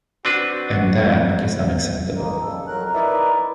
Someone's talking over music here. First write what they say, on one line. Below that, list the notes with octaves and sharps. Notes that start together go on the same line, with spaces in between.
And that is unacceptable.
C4 D4 F#4 B4
D#3 G#3 A#3 D#4
C#3 G3 A4
F2 F#3 A#4 F#6
D#4 E4 A#4 B4 D5 E5